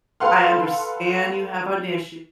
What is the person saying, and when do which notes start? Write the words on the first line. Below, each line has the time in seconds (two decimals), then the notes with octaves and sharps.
"I understand you have an issue.
0.20 A4 B4 F5 F#5 C6 F6